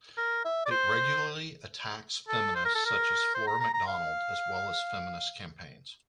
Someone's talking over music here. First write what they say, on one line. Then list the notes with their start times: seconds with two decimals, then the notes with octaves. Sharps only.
It regularly attacks feminists such as Flora MacDonald as well as feminist campaigns.
0.18 A#4
0.45 E5
0.66 D5
0.71 C5
2.28 A4
2.55 C5
2.65 A#4
2.75 A4
2.86 A#4
3.35 C5
3.47 A#5
3.60 A#5
3.74 A#5
3.87 F5